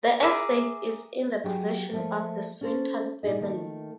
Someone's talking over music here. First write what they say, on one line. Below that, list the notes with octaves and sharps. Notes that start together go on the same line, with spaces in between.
The estate is in the possession of the Swinton Family.
G#4 A#4 E5 D6
F#3 G4 G#4
F3 A3 A#3
C#4 A4 C5
A#2 D#4 G#4 D#5
D#3 A3 A#3